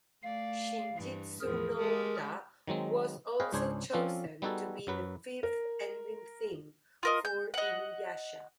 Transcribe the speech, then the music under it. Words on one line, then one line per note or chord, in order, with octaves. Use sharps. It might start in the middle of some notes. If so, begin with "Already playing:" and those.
"Shinjitsu no Uta" was also chosen to be the fifth ending theme for "InuYasha".
A3 D5 F5
G2 E3
E2 A2 F3 G#4 A#4
G#3 G4 A4
D#3 F#3 G#3 C4
G#4 B4 C#5 D#5 F5 G5
C#2 G#2 D4 G#4 C5 C#5
F3 C4 C#4 F4 A4 D5
G3 B3 D#4 F#4 G#4 A4
F#2 F#3 B4
A#4
F4 A#4 D#5
G6
D#5 F#5